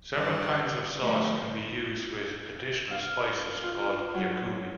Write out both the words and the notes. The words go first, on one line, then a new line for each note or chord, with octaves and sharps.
Several kinds of sauce can be used with additional spices, called yakumi.
G2 D#3 D5
D3 F3 G3 A3
F5
F4
F#3